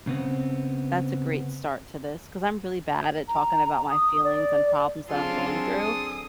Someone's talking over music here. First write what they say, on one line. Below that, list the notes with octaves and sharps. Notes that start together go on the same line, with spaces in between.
that's a great start to this" 'cause I'm really bad at it talking about my feelings and problems that I'm going through,
C#3 B3 C4
A#5
D#6
D5
F#3 C4 D4 F4 G#4 A4 C6
D#6